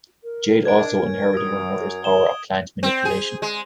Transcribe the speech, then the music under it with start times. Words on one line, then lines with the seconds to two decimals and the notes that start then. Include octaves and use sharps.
Jade also inherited her mother's power of plant manipulation.
0.24 A#4
0.65 D4 G#6 D7
1.01 C#4
1.37 F#2 D#6
2.04 E7 G7
2.83 C4
3.05 G#4
3.42 G#3